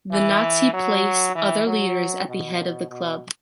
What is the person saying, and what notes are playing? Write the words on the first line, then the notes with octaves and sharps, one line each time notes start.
The Nazi place other leaders at the head of the club.
E3
F#3
E3
F#3
B2
B2